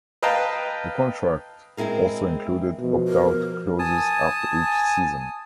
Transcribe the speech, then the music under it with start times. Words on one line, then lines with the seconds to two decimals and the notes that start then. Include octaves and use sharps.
The contract also included opt out clauses after each season.
0.22 B4 D#5 F5 G5 A5 A#5
1.77 G#3 C4 E4 G#4 A#4
2.79 B2 F3
3.08 A#4
3.79 G#5 A5 D#6